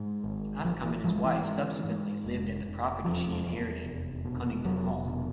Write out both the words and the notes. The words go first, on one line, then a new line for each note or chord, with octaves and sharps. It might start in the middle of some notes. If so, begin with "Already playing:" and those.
Askham and his wife subsequently lived at the property she inherited, Conington Hall.
Already playing: G#2
G#1
G#1 F3
E3
G#2 F3
F3
E3
G#2
G#2
F1
F1
E2 F3
E2
F1
B2
F1 F#3
B2